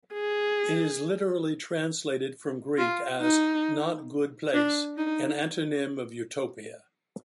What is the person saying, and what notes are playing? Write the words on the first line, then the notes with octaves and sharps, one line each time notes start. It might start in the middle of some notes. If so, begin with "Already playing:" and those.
It is literally translated from Greek as "not-good place", an antonym of "utopia".
G#4
F4
D#4
D4
D#4